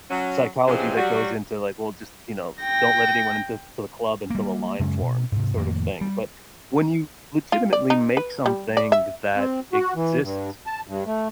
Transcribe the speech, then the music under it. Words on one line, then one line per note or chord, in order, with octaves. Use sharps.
psychology that goes into, like, well just, you know, "Don't let anyone into into the club until a line forms" sort of thing. But when you legitimately make something that exists
F#3 C#4
C3 E3 F3 G#3 C4 C#4
F#3 G3 F#4
G5 A#6
G3 A#3
F#2 C#3 G#3 C#4
B2
G#2 C3
F2 A2 D#3 A#3
G3
F4
D5
D#4
B4
G3
D5
E5
C4
F#4
E3
G2
A5
G2
A3